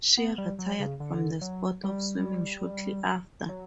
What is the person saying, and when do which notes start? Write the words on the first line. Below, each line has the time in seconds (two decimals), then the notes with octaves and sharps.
She retired from the sport of swimming shortly after.
0.17 B3
0.38 G3
0.59 F#3
0.80 C#3
1.00 D3
1.41 F#3
1.83 G3
3.49 F#3